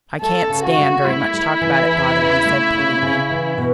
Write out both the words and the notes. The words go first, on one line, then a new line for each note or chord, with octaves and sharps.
"I can't stand very much talk about it, father," he said, pleadingly.
A3 A4
C#3
F#4
A3
A3 E4
A3
E3
E2
C#3
A3
C#3
C#3
E3
B2